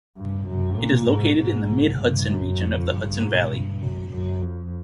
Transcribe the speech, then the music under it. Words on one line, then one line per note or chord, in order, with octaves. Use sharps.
It is located in the Mid-Hudson Region of the Hudson Valley.
G2
F#2
A#2
G#2
G#2
G2
F#2
F2
G2
G#2
G2
F#2
F#2
F2